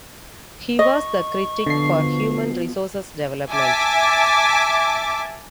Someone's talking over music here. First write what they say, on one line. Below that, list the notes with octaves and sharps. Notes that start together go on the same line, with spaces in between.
He was the critic for Human Resources Development.
D#5 C#6
B2 D3 F3 C7
E5 G#5 A5 D6